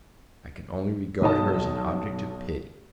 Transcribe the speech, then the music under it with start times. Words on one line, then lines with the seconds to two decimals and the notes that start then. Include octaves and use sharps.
I can only regard her as an object of pity!
1.21 B1 D#4 A5